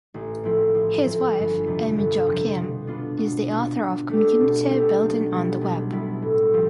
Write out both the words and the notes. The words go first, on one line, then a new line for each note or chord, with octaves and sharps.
His wife, Amy Jo Kim, is the author of "Community Building on the Web".
A1
A2 F3 C4 E4
A1
A2 F3 C4 E4
G1
F2 C3 F3
G1
F2 C3 F3
B2
B3 D4 F4
B2
B3 D4 F4
B2
A3 D4 G4
B2
A3 D4 G4
B1
B2 G3 B3 E4
B1
B2 G3 B3 E4
A2
F3 C4 G4